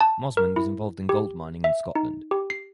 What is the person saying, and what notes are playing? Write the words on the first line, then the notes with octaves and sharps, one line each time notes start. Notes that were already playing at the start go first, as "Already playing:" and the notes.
Mosman was involved in gold mining in Scotland.
A5
A#4
E4
G4
E5
D#4
G4
C7